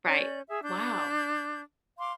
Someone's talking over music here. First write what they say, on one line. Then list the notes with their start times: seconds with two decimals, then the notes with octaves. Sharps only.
Right, wow.
0.06 C#4 D5 G6
0.47 G#4 E5
0.63 D4 G6
1.98 F5 C6 D6